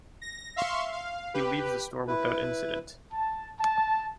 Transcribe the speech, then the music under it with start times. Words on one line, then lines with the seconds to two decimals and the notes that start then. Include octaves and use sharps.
He leaves the store without incident.
0.22 A#6
0.56 E5 F5 C6 C#6
0.92 F5
1.34 G4 B4
2.08 E4 B4
3.12 A5
3.60 A5